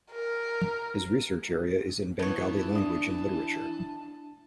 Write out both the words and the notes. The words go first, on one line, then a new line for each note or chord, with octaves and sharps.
His research area is in Bengali language and literature.
A#4
E3 B3 C#5 A5
D4 D#6